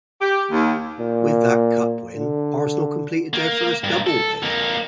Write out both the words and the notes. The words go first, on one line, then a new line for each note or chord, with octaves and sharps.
With that Cup win, Arsenal completed their first Double win.
G4
D#2
A#2
D3
A#3
G2 A#2
A4
F2 A#3